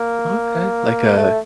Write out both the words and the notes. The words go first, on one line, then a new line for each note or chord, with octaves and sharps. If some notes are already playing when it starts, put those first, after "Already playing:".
Okay, like a
Already playing: A#3
A3